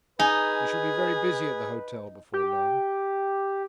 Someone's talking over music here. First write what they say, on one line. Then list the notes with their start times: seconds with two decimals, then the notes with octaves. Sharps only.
We shall be very busy at the hotel before long.'
0.19 D#4 G#4 B4 G#5
2.33 G4